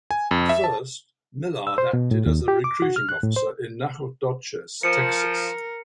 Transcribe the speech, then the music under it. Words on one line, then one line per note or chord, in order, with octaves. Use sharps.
At first, Millard acted as a recruiting officer in Nacogdoches, Texas.
G#5
F2
E5
A5
E6
C5
B2
A2
D#2
G4
D6
F#4
F6
F#6
A2
C5
F3 A#4 C#7